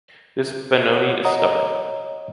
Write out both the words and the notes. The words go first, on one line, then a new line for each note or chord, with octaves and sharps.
This Benoni is stubborn.
C#5 F#5
C#5 D#5 F#5 A#5 D#6